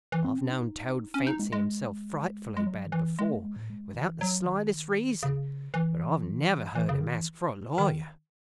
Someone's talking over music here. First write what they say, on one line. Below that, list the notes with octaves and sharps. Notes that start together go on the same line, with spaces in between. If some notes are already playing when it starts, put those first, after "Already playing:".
'I've known Toad fancy himself frightfully bad before, without the slightest reason; but I've never heard him ask for a lawyer!
E3
C4
C#4
D#4
C#4
D#4
G#3
G#3
G#3
F#3
D#3
E3
G#3
A3
G#3
A2
G#3
D#3
E3
F#3
D#3
C#3
E3
E3
C#3
D#3
E3
D#3